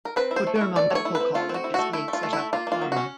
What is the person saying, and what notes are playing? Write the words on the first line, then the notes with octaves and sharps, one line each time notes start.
Koderma Medical College is being set up at Karma.
A#4
C4 B4
E4
C5
A3
C#5
E4
A3 D5
A3 C#5
E4
B4
C4
A3 F4
C4
F#4
E4
A3 F#4
A3 E4
A3
F4
A3
E4
A3
A#3 F4
A#3 F4
F#3
C#4 F#4